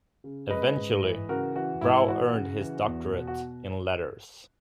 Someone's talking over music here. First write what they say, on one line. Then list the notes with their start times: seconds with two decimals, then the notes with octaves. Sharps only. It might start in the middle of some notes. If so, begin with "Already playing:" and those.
Eventually, Brau earned his Doctorate in Letters.
0.24 C#3
0.50 G#3 B4 D#5
0.76 G#2
1.03 E3
1.29 C#3 F#4 A#4
1.55 E3 F#4
1.81 G#2 E4
2.08 E3 F#4
2.34 C#3
2.60 E3
2.87 E2
3.13 B2
3.27 F#4